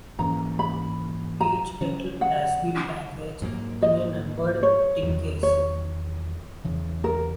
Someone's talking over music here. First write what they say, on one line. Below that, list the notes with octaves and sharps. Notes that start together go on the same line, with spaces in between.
Each title has been packaged in a numbered tin case.
G#2 E3 A#3 C#4 A#5
B5
A#5
C#3 F#3 C#4
F#5
G#2 F#3 A#3
D#5
C#5
E2 D#3 F#3
C#5
E2 C#3 E3
A#4